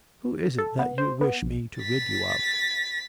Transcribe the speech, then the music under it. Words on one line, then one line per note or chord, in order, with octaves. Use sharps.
Who is it that you wish me to rid you of?'
A4
B3
C5
B3
A#1
A6 B6